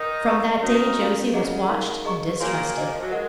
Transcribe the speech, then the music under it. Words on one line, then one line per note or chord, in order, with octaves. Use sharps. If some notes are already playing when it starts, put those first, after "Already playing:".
From that day Josie was watched and distrusted.
Already playing: D#3 D#4
A#4 D#5 A#5 C#6
D#3 C#4 D#4 F#4 C#5
C#4 F#4 A#4 F5
C#3 C#4 G#4 D#5 F#5 A#5
D#4 A#4 F5
G#4 D#5 A#5 C#6
A#2 A#3 F#4 C#5 G#5 C6
C5 D#5 G#5
F3
F#3
G#3 A#4 D#5 F#5